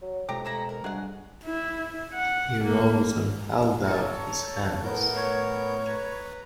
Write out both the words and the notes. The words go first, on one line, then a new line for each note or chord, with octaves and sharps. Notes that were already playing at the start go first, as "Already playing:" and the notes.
He rose and held out his hands.
F#3
F2 B2 G#3 G4 A#5
A3 E4 A#5
A#4
G3 D4 F#4 G#4 D#5 F#5
E4
F#5
A#3
A#3 D#4 A4 C#5
A#5
A2 B3 A#4 G6
C#5
B4 A#5